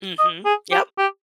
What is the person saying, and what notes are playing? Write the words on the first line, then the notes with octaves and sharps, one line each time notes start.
Mhm, yep.
D#5
G#4
G4
G4